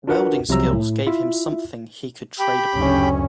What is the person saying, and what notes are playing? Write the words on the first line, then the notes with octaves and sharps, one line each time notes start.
Welding skills gave him something he could trade upon.
D4 F4 F#4 A#4 B4 F#5
C2 C3 F3 F#3 A#5 E6
A2
E4 F4 E5
G4 G5 B5
F#1 D2 C#4